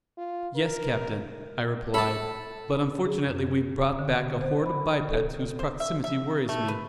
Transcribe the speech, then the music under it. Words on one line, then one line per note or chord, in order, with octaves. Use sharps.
"Yes, captain," I replied, "but unfortunately we've brought back a horde of bipeds whose proximity worries me."
F4
A#4
A4 A5 B5
G#4
F#2
D3
C5
B5
A4
C5
E5
E5
A3
B4